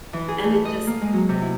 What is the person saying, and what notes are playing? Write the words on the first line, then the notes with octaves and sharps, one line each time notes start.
and it just
E3
G#4
A3
D#5
A#3
G#3
F#3
C3
E4